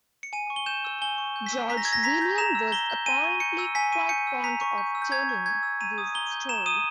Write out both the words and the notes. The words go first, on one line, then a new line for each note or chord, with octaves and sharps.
George William was apparently quite fond of telling this story.
C#7
G#5 D#7
C#6
G7
G6 E7
E6
G#5 G7
C#6
G6
B6
E6
A#5 B6
A#6
E6 G#6
A#6
A#5 B6
G6
A#5 E7
E6
A#5 G7
G6
G#5 D#7
C#6
G6 C#7
E6
G#5 B6
C#6 D#7
G6 C#7
E6
A#5 B6
C#6
G6
E6
G6
A#5 G#6
C#6
G6 G#6
E6
A#5 D#7
D#6
A#5 G7
G6
A#5 E7
D#6 D#7